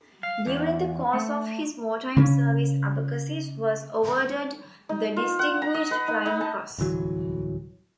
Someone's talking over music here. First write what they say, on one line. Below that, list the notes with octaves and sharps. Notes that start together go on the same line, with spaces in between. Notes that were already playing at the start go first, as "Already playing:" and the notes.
During the course of his wartime service Abecassis was awarded the Distinguished Flying Cross.
F5
E2
A3
C#3 C4 C#4
D#4
F4
F#5
A#5
D#5
B4
D#4
D#4
A5
D1 C2 E3 F#3